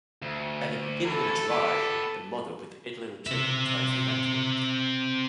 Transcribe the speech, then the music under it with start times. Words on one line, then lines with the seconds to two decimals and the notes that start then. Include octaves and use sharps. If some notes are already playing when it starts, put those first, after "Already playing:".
At the beginning of July, a mother, with eight little children, tried to evacuate.
0.22 D2
1.04 D2 E3 A4
1.51 B3 G4
3.27 C4 E5